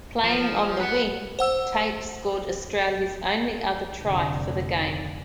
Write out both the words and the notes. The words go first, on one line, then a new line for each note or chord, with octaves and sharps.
Playing on the wing, Tate scored Australia's only other try for the game.
F3
B4 F#5
C5 F#5 E6
F1 D3